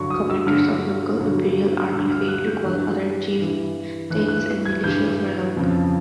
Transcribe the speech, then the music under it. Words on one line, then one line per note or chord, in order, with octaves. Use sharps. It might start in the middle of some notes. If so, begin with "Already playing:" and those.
Commanders of local imperial army failed to call other chieftains and militia for help.
Already playing: G2 D3 F#3 C#6
D#6
E6
G2 D3 F#3 F6
G2 D3 F#3
G2 D3 F#3 E6
F6
F#6
G6
G2 E3 F#6
G2 E3
G2 E3 F#6
F#6
G#6
G2 E3 G6
F2 C#3 F3